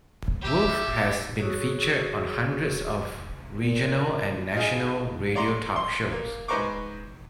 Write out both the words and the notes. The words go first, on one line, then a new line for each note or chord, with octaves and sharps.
Wolfe has been featured on hundreds of regional and national radio talk shows.
G4 E5
F#4 G#4 C#5 C#6 D#6 E6
A#2
D#4 F4 G#4
C#5 D5 A#5 C6
C6
A#3
G#2 B4 C5 A#5 C#6 D6